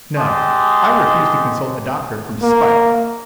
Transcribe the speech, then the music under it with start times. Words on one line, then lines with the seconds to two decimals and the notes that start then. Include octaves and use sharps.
No, I refuse to consult a doctor from spite.
0.17 G#3 G4 D#5 A5 C6
2.42 A#3